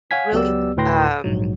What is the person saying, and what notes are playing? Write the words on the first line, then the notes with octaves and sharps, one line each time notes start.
really l um,
C#5 F5 F#5 G#5 G#6 B6
C#2 F#3 B3 G4 D5 E6
D2 A2 B4 G5 C6 A#6
A#1 G#2 F#3